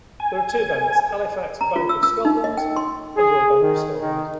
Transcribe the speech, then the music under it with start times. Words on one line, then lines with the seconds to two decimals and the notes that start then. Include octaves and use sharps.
There are two banks, Halifax Bank of Scotland and Royal Bank of Scotland.
0.20 G#5
1.61 A#5
1.76 F4
1.89 E6
2.03 E6
2.25 D#4
2.44 D#5
2.57 G5
2.76 C6
3.17 G#4
3.62 D#3
4.00 D#3